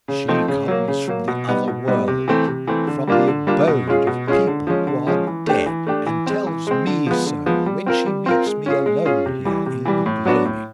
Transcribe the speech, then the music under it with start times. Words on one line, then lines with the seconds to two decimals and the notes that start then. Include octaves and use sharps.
She comes from the other world--from the abode of people who are dead; and tells me so when she meets me alone here in the gloaming!
0.08 C#3
0.28 F3 A3 C4 D#4
0.48 C#3
0.68 F#3 A#3
0.88 C#3
1.08 F#3 A#3
1.28 B2
1.48 G3 B3 D#4
1.68 B2
1.88 G3 B3 D#4
2.08 C3
2.28 E3 A3 C4
2.48 C3
2.67 E3 A3 C4
2.87 D3
3.07 G3 A#3 D4 F4
3.28 D3
3.47 G3 A#3 D4 F4
3.67 B2
3.87 G#3 C#4 F4 G#4
4.07 B2
4.27 G#3 C#4 F4 G#4
4.47 D3
4.67 F3 G#3 C#4
4.87 D3
5.07 F3 G#3 C#4
5.27 E3
5.47 A3 D4 G4
5.66 E3
5.87 A3 D4 G4
6.07 E3
6.27 G#3 C4
6.47 E3
6.67 G#3 C4
6.87 D3
7.07 F3 G#3 B3
7.26 D3
7.46 F3 G#3 B3
7.66 G3
7.86 C4 F4 A#4
8.06 G3
8.26 C4 F4 A#4
8.46 G#3
8.66 C#4 F4 G#4
8.86 G#3
9.05 C#4 F4 G#4
9.26 C3
9.45 E3 G3
9.66 C3
9.85 E3 G3
10.06 A2
10.25 F#3 B3 D4 F#4
10.45 A2